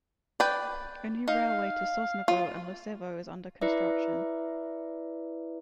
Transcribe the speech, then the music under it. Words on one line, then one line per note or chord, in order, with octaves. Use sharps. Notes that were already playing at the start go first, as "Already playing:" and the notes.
A new railway to Sosnovo and Losevo is under construction.
B4 D5 G5
D#4 F5
F4
E4 B4 D5 E5